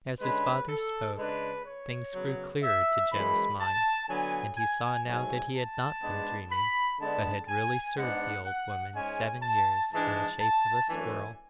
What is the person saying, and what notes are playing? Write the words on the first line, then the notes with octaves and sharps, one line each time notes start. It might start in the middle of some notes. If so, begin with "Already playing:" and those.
As his father spoke, things grew clearer to Jem's mind, and he saw now that he had not been dreaming, but had really served the old woman seven years in the shape of a squirrel.
D3 G#3 C#4 B4
A4
C#3 G#3 D4 B4
C#5
C#3 F#3 B3
E5
F#2 E3 G#3 B5
A5
D3 F#3 B3 G#5
G#5
G#2 F#3 A3 G#5
A5
G#2 G#3 B3 D4
B5
D3 G#3 B3 D4 A5
G#5
G#2 G#3 B3 D4 F#5
F#5
G#2 G#3 C#4 G#5
A5
G#2 E3 G#3 D4 A5
A5
F#2 E3 A3 D4 G#5